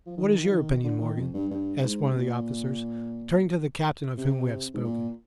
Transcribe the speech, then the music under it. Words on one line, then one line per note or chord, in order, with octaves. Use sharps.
"What is your opinion, Morgan?" asked one of the officers, turning to the captain of whom we have spoken.
F3
D#3
F3
D#3
D3
D#3
F2
G2
G2
G#2
C3
A#2
C3
G#2
A#2